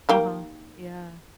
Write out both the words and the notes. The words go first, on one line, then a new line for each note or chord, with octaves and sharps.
Uh-huh, yeah.
D#3 A#3 G4